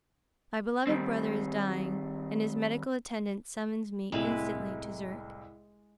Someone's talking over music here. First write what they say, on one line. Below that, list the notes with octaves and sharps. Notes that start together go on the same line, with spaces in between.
My beloved brother is dying and his medical attendant summons me instantly to Zurich.
D#3 G3 C4
C2 A2 G#3 E4 B4